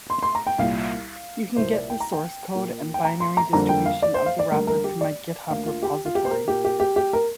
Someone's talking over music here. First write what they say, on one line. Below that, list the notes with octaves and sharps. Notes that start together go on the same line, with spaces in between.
You can get the source code and binary distribution of the wrapper from my github repository.
C6
C6
A#5
G5
C2 A#2 G3 F5
C2 A#2 A#3 C5
D5
G5
A#5
G5
A#2 A#3
G5
A#5
C6
A#5
F2 D3 G3 A#3 A#5
G5
F5
D5
C5
F5
D5
D2 D3 G3 A#3 A#4
A#4
G4
D5
D2 D3 A#3 F5
F4
G4
F4
G4
C5
A#4
A#2 A#3 G4
G4
G4
G4
A#4